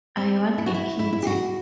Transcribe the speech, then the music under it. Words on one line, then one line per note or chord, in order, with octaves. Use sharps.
I want a kitty.
C4
E4
F#4
E4
E4
E4
G4
F#4